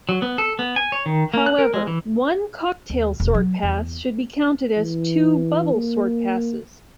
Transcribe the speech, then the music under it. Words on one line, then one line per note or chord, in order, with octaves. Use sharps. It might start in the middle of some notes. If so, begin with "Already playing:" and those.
However one cocktail sort pass should be counted as two bubble sort passes.
F#3
B3
A4
B3
G#5
C#5
D#3
A#3
F#6
A#4
G#3
E3
D#2
E1
F#3
E2
E3
A#3